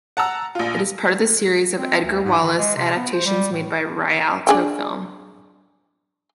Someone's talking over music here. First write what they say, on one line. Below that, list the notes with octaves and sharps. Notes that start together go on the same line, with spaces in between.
It is part of the series of Edgar Wallace adaptations made by Rialto Film.
F#5 A5 A#5 E6
A#1 F4
C4
D2
G#2
D#3
G#3
C3
B3
C5
G3
A2
D4 G#4 G5